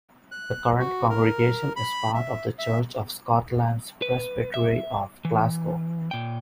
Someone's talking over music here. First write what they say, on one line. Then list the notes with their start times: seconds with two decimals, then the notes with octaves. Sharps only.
The current congregation is part of the Church of Scotland's Presbytery of Glasgow.
0.32 F#6
0.79 F#4
1.10 A#4
1.76 B5
2.14 E5
2.59 E5
4.02 B4
4.54 E5
5.25 E3
6.11 A#2 G5